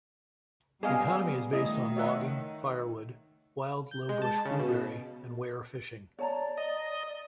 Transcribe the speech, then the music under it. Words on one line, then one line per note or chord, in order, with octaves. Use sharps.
The economy is based on logging, firewood, wild lowbush blueberry and weir fishing.
G3 B3 G#4 D#5 F5
D#3 A3 E4 D#5
C#5 E5 F#5
G6
G#3
A5
C#3
B2
C#5 D5 A5 A#5
D#5